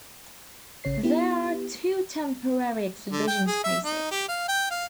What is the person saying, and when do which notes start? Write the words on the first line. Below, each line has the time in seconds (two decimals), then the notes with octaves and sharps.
There are two temporary exhibition spaces.
0.84 A1 C#3 C#5 C7
1.03 B3 E4 G4
3.11 D3
3.28 G5
3.47 G#4
3.64 E5
3.84 D#4
4.11 G4
4.28 F5
4.48 G5
4.71 F5